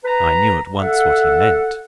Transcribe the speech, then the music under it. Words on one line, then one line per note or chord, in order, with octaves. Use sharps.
I knew at once what he meant.
B4 A#5
A4 E5 F#5